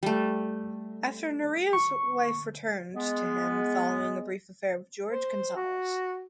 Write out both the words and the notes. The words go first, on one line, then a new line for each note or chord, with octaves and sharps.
After Narea's wife returned to him following a brief affair with Jorge Gonzalez.
G3 A3
C#6
G#3 B3
C5
F#4